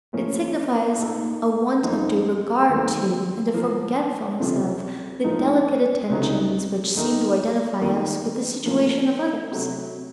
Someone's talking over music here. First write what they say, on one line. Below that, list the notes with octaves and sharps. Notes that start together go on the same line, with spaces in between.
It signifies a want of due regard to, and a forgetfulness of, the delicate attentions which seem to identify us with the situation of others.
A2 F3 A#3 C#4
A#2 A3 D#4 A4
F#2 F3 C4 D#4
D#2 D#3 F#3 A3 C4
A#2 F3 A#3
C#2 C3 F3 A3 C4
A2 F3 A#3 D#4
C#2 C3 F#3 A3 D#4
D#2 D#3 A3 D#4 A#4
F2 D#3 A#3
A2 F3 A#3
C3 F#3 A3